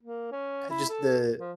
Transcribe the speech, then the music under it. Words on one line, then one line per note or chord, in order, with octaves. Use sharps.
uh, just the
A#3
C#4
E4
A4
F3